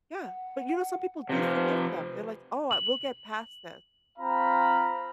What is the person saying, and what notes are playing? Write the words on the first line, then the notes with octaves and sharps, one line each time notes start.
Yeah. But, you know, some people do forgive them. They're like, "Oh, uh, we'll get past this."
F#5
C3 F3 B4
F#7
C4 F4 F5 A#5 B5